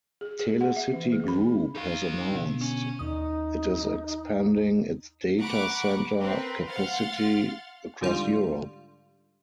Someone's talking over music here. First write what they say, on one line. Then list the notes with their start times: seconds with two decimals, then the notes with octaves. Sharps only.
TelecityGroup has announced it is expanding its data centre capacity across Europe.
0.21 G#4
0.40 G#4
0.61 F#5
0.76 E5
0.93 E3
1.12 G#4
1.28 B5
1.75 D#4 F5
2.31 B2 D3
2.61 C#4
2.99 D#2 D#4 D#6
5.39 F#5 A#5 B5 C#6 D6 F#6
6.21 C4 A#4 B4
6.68 F5 F#5 C6 F6 A6
8.01 G#2 D3 G3 F4